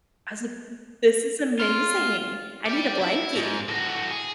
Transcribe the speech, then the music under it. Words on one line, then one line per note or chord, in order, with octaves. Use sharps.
I was like, mm, "This is amazing. I need a blankie."
F4
G4 D5
E4
G#2
A2 F#4
G#4